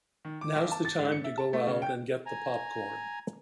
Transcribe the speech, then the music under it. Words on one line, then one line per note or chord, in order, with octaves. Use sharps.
Now's the time to go out and get the popcorn.
D#3
D6
B1
A5
A6
G#2
C#7
E5
A5
A3
C#3
G5
G#5 A#5